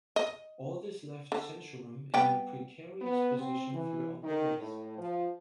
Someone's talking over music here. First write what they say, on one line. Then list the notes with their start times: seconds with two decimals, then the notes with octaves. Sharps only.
All this left Santorum in a precarious position throughout the race.
0.16 D#5
1.32 D3
2.14 G3 B3 G5
3.02 B3
3.36 C4
3.73 E3
4.23 D#3
4.58 A2
4.97 F3